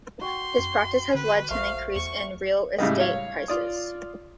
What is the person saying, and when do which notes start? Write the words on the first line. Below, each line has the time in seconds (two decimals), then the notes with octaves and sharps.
This practice has led to an increase in real estate prices.
0.21 F#4 G5 C6
0.59 F#2
1.15 D3 B4
1.51 A#1 A3 C5 F5
1.96 E2 C#6
2.79 A2 C#3 G3 G#3
3.00 C#5 F5
3.48 F4 D5 D#6